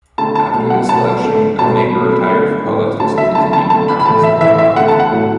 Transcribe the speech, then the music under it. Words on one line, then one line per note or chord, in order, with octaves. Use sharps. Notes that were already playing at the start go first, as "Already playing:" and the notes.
After this election, Ellmaker retired from politics and continued the practice of law.
D3 A3 A5
A5
B2 A3
F#5
B2 F#3 A3 A5
D3 A3
B2 F#3 A3 A5
B5
B2 F#3 A3
B5
D3 A3
A2 A3
D3 F#3 A3 A5
E5
D3 A3 A5
A5
D3 A3 A5
B5
B5
A2 E3 A3 A5
E5
A2 E3 A3 E5
E5
D3 A3 F#5
A5
F#5
A2 F#3 A3